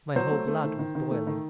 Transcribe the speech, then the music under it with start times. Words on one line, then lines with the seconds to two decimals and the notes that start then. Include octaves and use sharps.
My whole blood was boiling.
0.16 F#3 C5
0.31 A3
0.47 A3
0.64 D#3
0.79 D#3
0.95 D#3
1.11 A3
1.27 D#3